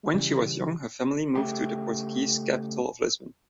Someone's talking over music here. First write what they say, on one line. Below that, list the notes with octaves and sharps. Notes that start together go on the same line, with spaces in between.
When she was young her family moved to the Portuguese capital of Lisbon.
C#3 E3 G3
C#3 A3 G4